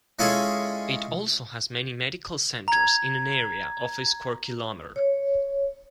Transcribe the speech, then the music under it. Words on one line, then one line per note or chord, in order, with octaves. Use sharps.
It also has many medical centers in an area of a square kilometer.
G#3 C#4 E4 F4 G#4 A4
A#5 G#6
C#5